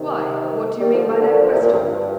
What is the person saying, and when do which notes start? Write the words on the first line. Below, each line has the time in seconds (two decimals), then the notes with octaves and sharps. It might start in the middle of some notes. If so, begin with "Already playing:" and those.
"Why?--what do you mean by that question?"
Already playing: C3 D#3
0.80 D#3 G3
0.93 D3 F3
1.07 A#2 D3
1.20 A#2 D3
1.30 A#2 D3
1.41 D3 F3
1.52 A2 C3
1.62 A#2
1.72 G2
1.92 G2